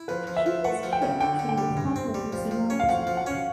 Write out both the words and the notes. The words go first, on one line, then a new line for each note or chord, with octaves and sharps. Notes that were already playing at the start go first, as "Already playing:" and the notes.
She was shipped to the facility soon after.
Already playing: E4
F3 B4
F3
E5
F3
A3 F#5
F3
G5
C#3
D3 G5
D3
G5
G3
G2
C4
G3
F3
F3
C#4
F5
F3 F#5
F3
F#5
C#4